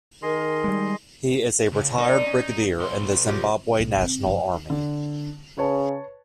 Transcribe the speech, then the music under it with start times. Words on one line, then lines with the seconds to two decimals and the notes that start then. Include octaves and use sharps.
He is a retired Brigadier in the Zimbabwe National Army.
0.22 D#3 G#4 A#4 D#5 C6
0.64 G3 G#3
1.72 C#2
1.98 D3 D4 D#4 A#4
2.26 C#4
2.79 B1 C6
3.27 D#4 F4 G4
3.80 B1
3.97 C#3 C4
4.27 F#2 F3
4.70 D3
5.57 C#3 B4 C#5 A5